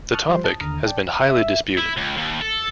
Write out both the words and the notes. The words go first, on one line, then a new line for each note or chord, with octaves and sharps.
The topic has been highly disputed.
A5 C#6 D#6 F6 F#6
F3 G3 C5 C6
A5 D#6
D#2 D3 A#5 D#6 F6
D5 G5 A5
E5
E4
C#2
D#2
A4